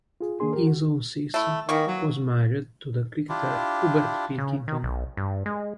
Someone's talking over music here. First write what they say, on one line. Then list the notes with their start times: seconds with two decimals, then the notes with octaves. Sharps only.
His own sister was married to the cricketer Hubert Pilkington.
0.21 F4 G#4
0.40 D#3 A#3 D4 G#4 C6
0.53 G4 A#4
0.67 F#4
1.34 A3 E4
1.69 D#3 E3 A#3 C#6
1.87 F#3
3.29 D4 E4 F4 G4
4.38 C#3
4.68 D#3
4.83 B1
5.17 G2
5.46 G#3